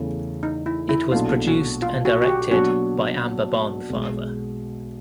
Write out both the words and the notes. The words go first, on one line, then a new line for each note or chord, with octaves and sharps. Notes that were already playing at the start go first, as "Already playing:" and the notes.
It was produced and directed by Amber Barnfather.
Already playing: E2 C#3 E3 A3 C#4
D#4
E4
E4
B1 A#2 F#3 A3 D4 F4
F#4
F4
F#4
F#4
G4
B2 F#3 A#3 D4 F#4
B1 B2 G#3